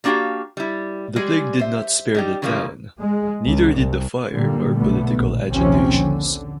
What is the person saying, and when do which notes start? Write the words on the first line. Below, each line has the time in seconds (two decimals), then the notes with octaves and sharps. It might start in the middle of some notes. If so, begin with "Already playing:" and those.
The plague did not spare the town, neither did the fire nor political agitations.
0.04 G3 A#3 D4 F#4 G4 F5
0.57 G3 E4
1.16 G3 G#3 G#4
1.60 C5 E5
2.15 G3 D#4 G4
2.42 C#3 E3 F3 G3 A3 A#3
2.99 G#3
3.46 C#2
3.76 C2
4.31 A#2 D3 G3 A#3
4.76 B1 B2 D3 A3 B3
5.15 A#1
5.50 A#1 D#2 C3 F3 C4 C#4
5.96 D3